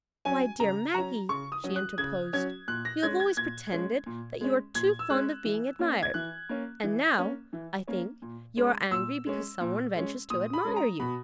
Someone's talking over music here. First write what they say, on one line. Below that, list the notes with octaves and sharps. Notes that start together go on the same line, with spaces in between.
"Why, dear Maggie," she interposed, "you have always pretended that you are too fond of being admired; and now, I think, you are angry because some one ventures to admire you."
F#3 C#4 G#5
C#3 A#5
F#3 C#4 A#5
C#3 C#6
D#6
F#3 C#4
F#6
C#3 G#6
F#3 C#4 G#6
A#2 F#6
A#6
G#3 C#4 G#6
G#6
A#2 G#6
G#3 C#4
A#2
G#3 C#4
A#2 G#6
E6
G#3 C#4 F#6
E3
A#3 C#4
G#6
E3 F#6
A#3 C#4
E3
A#3 C#4
E3
A#3 C#4
A#2
G#3 C#4
A#2 E6
G#3 C#4
A#2
G#3 C#4
A#2 D#6
B5
G#3 C#4
A#5
B2 B5